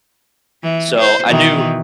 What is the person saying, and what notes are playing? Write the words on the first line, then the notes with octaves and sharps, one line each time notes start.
So, I do
E3
C5
B2 D#3 E3